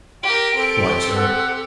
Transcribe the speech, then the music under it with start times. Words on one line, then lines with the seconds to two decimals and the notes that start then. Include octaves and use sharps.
"Quite, sir."
0.23 G4 A#4 G5 D7
0.55 C4 G4 A4
1.15 F#5